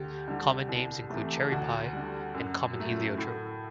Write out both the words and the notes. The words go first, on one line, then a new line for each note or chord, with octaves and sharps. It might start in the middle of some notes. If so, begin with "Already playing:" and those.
Common names include "cherry pie" and "common heliotrope".
Already playing: D2 G4
D3 G3
C2
C3 E3 A3
D2 F#4
D3 G3
F#2
F#3 A3
A2